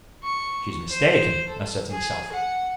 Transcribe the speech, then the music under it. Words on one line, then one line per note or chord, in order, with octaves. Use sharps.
'She's mistaken, I said to myself.
C#6
C5
A4
G#4
F#5